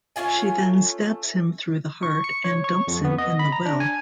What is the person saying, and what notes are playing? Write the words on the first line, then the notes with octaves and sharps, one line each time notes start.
She then stabs him through the heart and dumps him in the well.
A3 C#4 F4 G#5
C#6
C#7
C#5
C#6
F2
B3
D#5
B5
A#5
D4
G#5